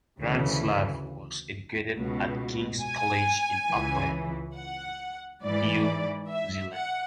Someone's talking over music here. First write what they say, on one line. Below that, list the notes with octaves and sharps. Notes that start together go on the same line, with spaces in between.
Retzlaff was educated at King's College in Auckland, New Zealand.
D2 C#3 E3
C#2 B2
G#5
C#2 C#3 E3
F#5
G#2 E3 D5
E5
F#5